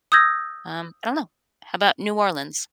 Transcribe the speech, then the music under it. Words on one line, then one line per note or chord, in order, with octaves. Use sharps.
Um, I don't know. How 'bout New Orleans
D#6 E6 G6 G#6 A#6